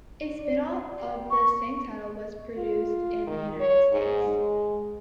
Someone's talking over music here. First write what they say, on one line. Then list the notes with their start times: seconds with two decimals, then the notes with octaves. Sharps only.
A spinoff of the same title was produced in the United States.
0.21 F#4
0.39 D5
0.98 F4 G4
1.31 C#6
2.57 F4
3.27 D#3
3.60 C#5
3.92 G#2
4.28 G#3